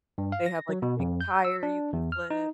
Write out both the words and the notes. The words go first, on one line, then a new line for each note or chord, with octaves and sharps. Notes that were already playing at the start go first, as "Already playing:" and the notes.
They have, like, a big tire you can flip
G2
F5
A#6
F#3
B2
F2
G6
E6
D4
E2
F6
D#4